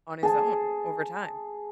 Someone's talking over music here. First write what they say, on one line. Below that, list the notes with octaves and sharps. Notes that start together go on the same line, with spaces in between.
On his own, over time.
G#4 A5